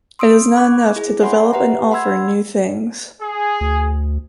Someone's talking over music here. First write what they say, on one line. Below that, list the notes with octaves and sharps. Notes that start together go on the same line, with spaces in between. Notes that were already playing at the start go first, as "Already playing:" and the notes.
It is not enough to develop and offer new things.
C6 D#6 E6 D7
B5 C#6 D6 F#6 G#6
E4 G#4
C#5 E5 F#5 G#5 B5 C6
G4 B4 E5 F#5 A#5
F#5 B5 C6 E6 G#6
G#4
D2